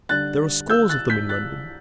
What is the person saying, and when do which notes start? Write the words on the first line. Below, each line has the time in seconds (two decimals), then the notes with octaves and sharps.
There are scores of them in London.
0.09 D3 G3 D4 F#6 A6
0.70 E6 G6
0.89 F#6 A6
1.10 G6 B6
1.29 F#6 A6